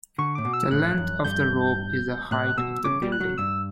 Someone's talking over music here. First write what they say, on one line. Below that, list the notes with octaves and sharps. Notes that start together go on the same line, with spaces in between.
The length of the rope is the height of the building.
D3 C#6
A2 D6
B2
E6
A2 F#6
F#2
G2 G6
A2 F#6
B2 E6
C#3 D6
G3
F#6
F#3
G2 E6